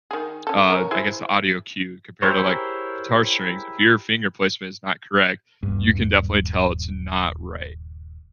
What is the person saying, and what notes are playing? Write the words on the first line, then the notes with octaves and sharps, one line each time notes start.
uh, I guess, the audio cue compared to, like, guitar strings, if your finger placement is not correct, you can definitely tell it's not right,
D#3 G#4
C#4 A4
C#4 A#4
E4 G#4 C5
E4 G4 G#4 A#4 C5 C#5
D#1 G2